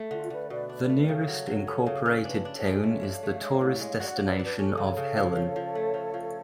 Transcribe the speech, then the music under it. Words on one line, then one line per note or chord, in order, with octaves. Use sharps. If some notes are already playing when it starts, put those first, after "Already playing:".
The nearest incorporated town is the tourist destination of Helen.
Already playing: A3
D3 F4
D3 B4 D5
B2 B4 D5
D4
A3
C#3 A4 C#5
F#3
F#3
C#4
C#3
C#4
D4 B4
D4
A4 C#5
G#3
A3 C#5 F5
D4
A3
G#3
A2
G#3
F#4 D5 F#5
D4 C#5 F5
B4 D5
D4 B4 D5
C#4 A4 C#5
C#3
C#3
F3
F3
F3
A3
F3
F3